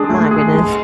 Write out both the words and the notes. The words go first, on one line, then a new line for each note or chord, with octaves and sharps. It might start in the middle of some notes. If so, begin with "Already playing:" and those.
My goodness.
Already playing: G#3 D4 G#4
A3
G#4
G#3